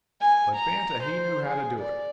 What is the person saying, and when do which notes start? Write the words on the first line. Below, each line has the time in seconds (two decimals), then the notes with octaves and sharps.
But Banta he knew how to do it.
0.21 G#5
0.56 A#5
1.03 C5
1.47 G#4
1.80 D5